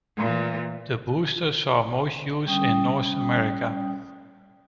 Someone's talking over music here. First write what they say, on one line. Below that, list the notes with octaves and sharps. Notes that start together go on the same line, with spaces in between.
The booster saw most use in North America.
A#2 E3
G3 C#4 G5 D#6